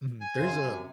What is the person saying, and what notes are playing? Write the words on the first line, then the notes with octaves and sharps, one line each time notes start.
Mhm. There's a
G#5
F#2 C#3 C5
F#2 C3